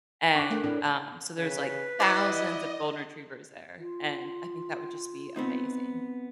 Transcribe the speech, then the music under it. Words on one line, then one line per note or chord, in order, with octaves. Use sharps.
And, um, so there's like thousands of golden retrievers there, and I think that would just be amazing.
D4 C#6 D6 F#6 D7
A3 A4 A#4
A2 D4
C#3 B4
E4 D5 D#5 F#5
F4
B3 C4 D#4